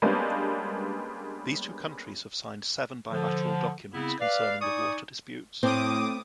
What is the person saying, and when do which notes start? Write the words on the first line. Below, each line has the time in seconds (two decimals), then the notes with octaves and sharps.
These two countries have signed seven bilateral documents concerning the water disputes.
0.02 G3 G#3 A#3 B3 C#4 D4
3.11 D3 F3
3.93 C#3 B3 C4 E4
4.20 B4 D5 F5
4.61 D#4 D5 G#5 C#6 D#6
5.63 A2 C4 D6 D#6